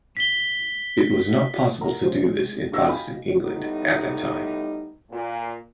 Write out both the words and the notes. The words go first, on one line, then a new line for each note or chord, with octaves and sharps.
It was not possible to do this in Protestant England at that time.
B6 G7
A#4 F#5 A#5
F3 G#3 C#4 G4 C5
G#3
D4 F#4 G#4 C#6 E6 A#6
D#5 F5 G5 G#5 B5
A2 G3 B3 D#4
A#2